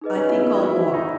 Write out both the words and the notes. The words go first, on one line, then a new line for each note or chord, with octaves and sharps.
"I think I'll walk."
D#4 G#4 B4 D#5
C#4
E4
E4
F#4
E4
E4
D#4